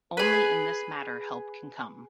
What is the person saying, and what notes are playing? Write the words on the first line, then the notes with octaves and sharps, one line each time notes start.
Only in this matter help can come.
G#4 B4